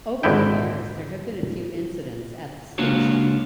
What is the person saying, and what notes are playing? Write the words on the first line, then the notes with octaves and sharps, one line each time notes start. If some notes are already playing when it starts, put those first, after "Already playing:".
Over the years, there have been a few incidents at the station.
G#1 G#2 D3 D#4 E4 G5
C#2 A#3 D4 F4 F#4 C#5